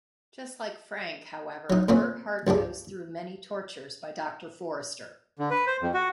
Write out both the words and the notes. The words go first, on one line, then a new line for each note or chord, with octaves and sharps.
Just like Frank, however, Erhardt goes through many tortures by Doctor Forrester.
F#3 D#4
A#2 A#3 C4 C#4
C#2 G2 G#3 D4
D3
B4
C5
F2
F#4